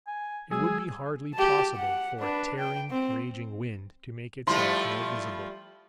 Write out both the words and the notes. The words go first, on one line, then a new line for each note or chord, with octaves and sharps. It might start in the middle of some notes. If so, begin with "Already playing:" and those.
It would be hardly possible for a tearing, raging wind to make itself more visible.
G#5
F#3 G#3 G#4 E6 G#6
G4 A5
F#5
D4 B4
G5
C4
F3 G3 A3 E4 C6